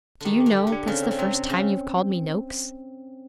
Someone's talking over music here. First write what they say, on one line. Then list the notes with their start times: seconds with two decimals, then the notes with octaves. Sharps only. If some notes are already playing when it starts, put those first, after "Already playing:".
'Do you know, that's the first time you've called me "Noakes"?'
0.20 D3 D#3 G4
0.40 G4
0.46 D3
0.56 G4
0.67 D3
0.72 D4
0.87 C#3 C4
1.03 C4
1.11 C#3
1.19 C3 C4
1.35 C4
1.50 C#3 C#4